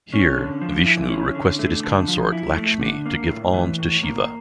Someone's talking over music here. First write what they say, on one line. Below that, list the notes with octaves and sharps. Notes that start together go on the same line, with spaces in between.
Here, Vishnu requested his consort Lakshmi to give alms to Shiva.
C#4
D3
F3
E4
C#4
D3
A3
D3
F3
E4
A3
D3
A#3
A2
E3
A2
A#3